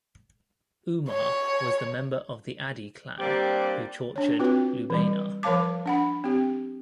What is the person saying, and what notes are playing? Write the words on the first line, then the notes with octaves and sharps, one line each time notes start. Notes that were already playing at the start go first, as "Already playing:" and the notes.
Umar was the member of the Adi clan who tortured Lubaynah.
C#5
G3 A#3 C4 D4 G4 D5
D4 C#5
C4 F4 F#4 B4
E3 G3
F3 A#4 C#5 F5 A5 D6
D4 F#5 B5
C4 G4